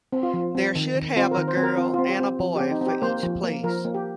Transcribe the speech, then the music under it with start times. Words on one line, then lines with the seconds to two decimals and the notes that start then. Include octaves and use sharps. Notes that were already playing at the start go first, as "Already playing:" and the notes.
There should have a girl and a boy for each place.
0.13 C4
0.23 F4
0.34 F3
0.55 C4
0.75 D#3
0.95 D#3
1.16 C4 F4
1.31 A#4
1.37 D#3
1.48 C5
1.57 C4
1.63 A#4
1.78 C4 F4
1.94 C4 F4
2.09 G4
2.20 C4
2.40 F3
2.56 C4 G4
2.71 D#4
2.81 C4
2.86 G4
3.02 A#3 C5
3.23 F3
3.43 A#3
3.63 F3 A#4
3.85 A#3
3.94 G4